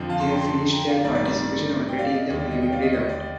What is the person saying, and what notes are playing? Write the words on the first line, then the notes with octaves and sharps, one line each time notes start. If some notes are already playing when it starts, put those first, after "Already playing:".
They have finished their participation already in the preliminary round.
Already playing: F2 D3 F3
F5 A5
A5 C6
G5 A#5
A5 C6
G5 A#5
D5 F5
A1 G2 D#3 D5
D5
D5
G5
D5 F5
D#5
D#2 D3 G3 D5
D5
D#5
D#5 G5
D5 F5
D#5
D#5
D5